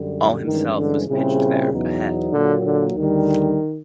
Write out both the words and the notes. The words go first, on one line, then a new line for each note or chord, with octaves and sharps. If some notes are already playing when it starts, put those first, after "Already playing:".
All himself was pitched there, ahead.
Already playing: F#2 D3 G3
G2 D#3 E3 G#3 C#4
D3
A#2 C#3 G3 C4 E4 G#4
E2 B2 F#3 B3 D#4
A#2 D3 F#3 A#3
D3
D2 D3 D#3 G3